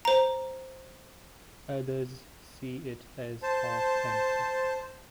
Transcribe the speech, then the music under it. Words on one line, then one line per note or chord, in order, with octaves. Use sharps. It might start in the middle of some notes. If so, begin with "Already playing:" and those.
Others see it as half empty.
C5 A#5
C5 A5